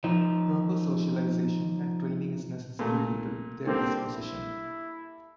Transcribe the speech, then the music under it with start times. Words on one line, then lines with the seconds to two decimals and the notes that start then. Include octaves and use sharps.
Proper socialization and training is necessary due to their disposition.
0.04 F3 D#4
2.79 A#2 A3
3.67 D3 G3 A#3 C4
4.11 E4